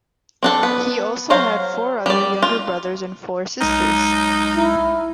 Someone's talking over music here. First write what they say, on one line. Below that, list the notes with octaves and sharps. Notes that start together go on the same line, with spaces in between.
He also had four other younger brothers and four sisters.
C4 D4 A4
B3
F#3 C5 F5
G3 D5
F4
B1 G#3 D#4 F6
E4